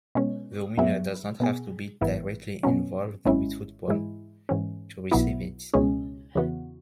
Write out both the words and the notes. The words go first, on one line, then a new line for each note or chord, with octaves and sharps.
The winner doesn't have to be directly involved with football to receive it.
B2 G#3 C#4
F#2 F#3 B3 G#4 E5
B2 B3 G#4
G#1 G#2 E3 B3 E4
B2 F#3 C#4
G#1 G#2 G#3 C#4 E4
G#2 E3 G#3 E4
G#2 E3 C#4
B1 B2 F#3 B3 E4
C#2 B2 G#3 C#4 G#4
E2 C#3 E3 B3 F#4